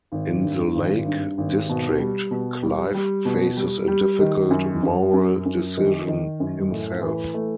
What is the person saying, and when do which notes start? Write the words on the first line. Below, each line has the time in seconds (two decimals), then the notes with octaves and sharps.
In the Lake District, Clive faces a difficult moral decision himself.
0.12 G#1
0.42 G2
0.75 G#1
1.06 G2
1.38 G#1
1.69 B2
2.00 G3
2.31 B2
2.63 G3
2.94 G3
3.25 B2
3.57 G3
3.88 G3
4.20 D#3
4.51 F#2
4.83 F#2
5.13 F#2
5.46 F#2
5.77 D#3
6.08 D#3
6.40 F#2
6.71 A2
7.02 E3
7.34 A3